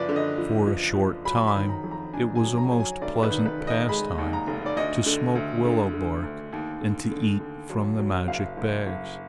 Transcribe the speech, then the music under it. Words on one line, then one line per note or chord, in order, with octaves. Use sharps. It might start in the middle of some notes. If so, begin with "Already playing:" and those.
For a short time it was a most pleasant pastime to smoke willow bark and to eat from the magic bags.
Already playing: F#1 F3 B4 D5
D3
D#5
F3
F3
F3
F#3 B5
B5
D#3
A#5
F2
A#5
D4 G#5
G#5
F#3
A#5
F#3
G#5
F1 D5
B4
D#3
B4
F1
D#5
G#3 B5
D#2
A#5
F1
D5
D2 D#5
D3
D2
D3
D3
D2
D#2
D3
D3
D3
F#3
F#3
F#1 F5
F#1
F#1